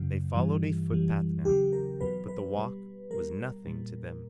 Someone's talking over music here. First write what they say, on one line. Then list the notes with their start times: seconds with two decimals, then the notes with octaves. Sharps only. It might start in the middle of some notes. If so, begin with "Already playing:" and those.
They followed a footpath now, but the walk was nothing to them.
Already playing: F#2 C#3 F#3
0.34 G2 E3 G3
0.90 F#2 E3 G3
1.45 E2 C#3 F#3 G4
1.73 A#4
2.00 E2 B2 F#3 B4
2.28 B4
2.56 B2 G3
3.11 B2 G3 A#4
3.66 A#2 G3